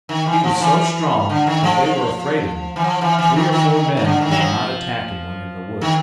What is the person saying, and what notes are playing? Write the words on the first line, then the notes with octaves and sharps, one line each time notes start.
He was so strong that they were afraid of him; three or four men would not attack him when in the woods.
D#3
E3
F3
E3
D3
D#3
F3
E3
F3
E3
E3
D#3
D#3
D#3
D#3
D3
D#3
F#3
F3
D#3